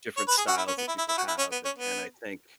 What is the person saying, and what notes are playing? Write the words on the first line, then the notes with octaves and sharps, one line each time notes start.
different styles that people have, and and I think,
C#5
B4
G#4
F#4
E4
C#4
B3
E4
E4
E4
F#4
E4
C#4
B3
C#4
B3